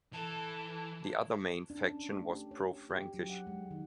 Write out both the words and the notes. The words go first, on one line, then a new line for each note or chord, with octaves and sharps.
The other main faction was pro-Frankish.
E3 A4 A5
D4
C#4
A3
G4
C#5
G4
F#3
F#5
G#3
D#3